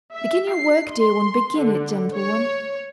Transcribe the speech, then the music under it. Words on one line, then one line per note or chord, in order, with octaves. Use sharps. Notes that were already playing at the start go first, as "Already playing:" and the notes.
Begin your work, dear one, begin it, gentle one!...
E5
C7
C6
D3
C#5